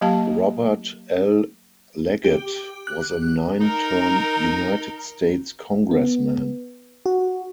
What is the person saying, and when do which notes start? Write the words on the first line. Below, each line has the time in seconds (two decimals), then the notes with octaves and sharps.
Robert L. Leggett was a nine-term United States Congressman.
0.01 F#3 A#3 G4 F5 A5
2.24 G4
2.87 F#6
3.61 D#4 A#4
5.91 B3
7.06 F#4